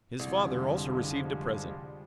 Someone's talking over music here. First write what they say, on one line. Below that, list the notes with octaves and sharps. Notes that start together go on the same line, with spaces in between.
His father also received a present.
C2 F2 D3 F3 G3 G#3